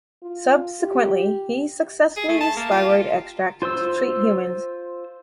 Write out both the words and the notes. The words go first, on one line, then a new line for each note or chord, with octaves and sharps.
Subsequently he successfully used thyroid extract to treat humans.
F4
G4
G#4
A3
A5
A#3
F4
G4
F4 C5 C6 E6